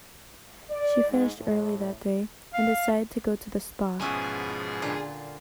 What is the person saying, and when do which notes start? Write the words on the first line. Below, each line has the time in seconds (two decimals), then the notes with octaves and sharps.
She finished early that day, and decided to go to the spa.
0.69 D5
1.08 G#2
1.38 A2
2.54 F5
4.01 G#2 B2 F3 B3 C#4 E4 G#4
4.82 A#2 D3 F4